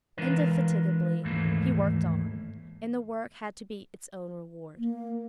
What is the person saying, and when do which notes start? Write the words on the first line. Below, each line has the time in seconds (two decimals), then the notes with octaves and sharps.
Indefatigably he worked on, and the work had to be its own reward.
0.18 E3 G#3 D4 F4 A#4 B4
1.24 D#2 G#2 E3 A3 A#3
4.78 A#3